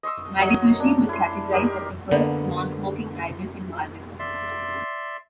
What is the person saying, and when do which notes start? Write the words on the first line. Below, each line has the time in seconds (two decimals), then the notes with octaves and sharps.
Madifushi was catagorized as the first non smoking Island in Maldives.
0.03 D#5 C6 C#6 E6
0.39 F#3 C#5 D#5
0.80 D4
1.09 E4 C6
1.52 D#4 G4 A#4
2.11 D3 A#3 B3
4.19 D5 E5 C6